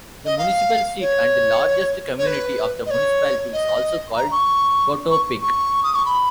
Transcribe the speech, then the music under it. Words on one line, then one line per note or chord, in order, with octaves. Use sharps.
The municipal seat and largest community of the municipality is also called Coatepec.
D#5
F5
C#5
C#5
B4
D#5
C#5
D#5
A#5
C#6
C#6
C#6
D#6
C#6
B5